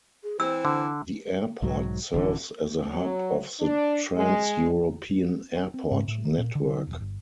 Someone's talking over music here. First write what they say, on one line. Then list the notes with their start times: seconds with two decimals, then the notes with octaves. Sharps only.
The airport serves as a hub of the trans-European airport network.
0.23 G#4
0.40 E3 C4 C5 E6
0.65 D3
1.62 B1 G#2 F#3
2.14 D1 D3 E3
2.89 F#3
3.60 D4
4.16 G#3
5.74 C4
5.91 G#2
6.08 A2
6.25 D#3
6.38 A#2
6.55 D3
6.87 E1
7.01 G1